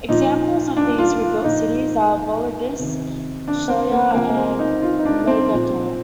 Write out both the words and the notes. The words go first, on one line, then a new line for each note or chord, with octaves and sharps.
Examples of these rebuilt cities are Volubilis, Chellah and Mogador.
A#2 F3 D#4
D4
F4
F4
A#2 F3 D#4
C3 D#3
D4
C4
A#3
C3 F3 A#3
A#3
C4
D#4
F4
D#4
D4
C4
A#2 F3